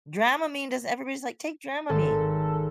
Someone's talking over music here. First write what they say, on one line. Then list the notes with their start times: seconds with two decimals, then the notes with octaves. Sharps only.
Dramamine does everybody's like, "Take Dramamine."
1.89 G#1 A4